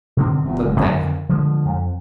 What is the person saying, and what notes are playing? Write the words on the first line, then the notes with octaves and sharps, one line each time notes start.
But there!
B2 D3 D#3 C4
E1 E2 G2 A#2
F#1 G#2 G#3
F2 D3 D#3
D3 F3 G#3
F2